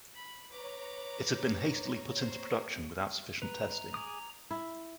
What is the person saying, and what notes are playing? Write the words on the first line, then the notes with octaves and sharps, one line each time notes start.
It had been hastily put into production without sufficient testing.
B5
B4 C#5 A#5 D6
C5
B4 A#5
G#4 D6 D#6
E4